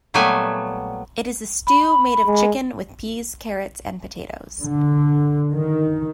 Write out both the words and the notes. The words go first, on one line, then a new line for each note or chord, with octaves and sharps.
It is a stew made of chicken with peas, carrots, and potatoes.
A#2 F#3 G3 A3 B3 G#5
B5
G#3
D3
D#3